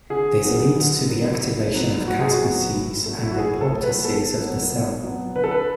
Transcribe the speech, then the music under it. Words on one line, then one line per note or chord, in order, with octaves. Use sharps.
This leads to the activation of caspases and apoptosis of the cell.
D3 G#4
F#3 B3
D3
F#3 B3
A2
F#3 B3
A2 F#4
G#4
F#4
F#3 B3
A2
F#3 A3
E4
F#4
A2 G#4
A4
F#3 A3
B4
B2 A4
F#3 B3
B2
F#3 B3
D3 B4
A4
B4